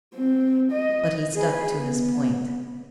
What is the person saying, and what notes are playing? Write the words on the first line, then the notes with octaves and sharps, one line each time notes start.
But he stuck to his point.
C4
D#5
G#4 B4
B3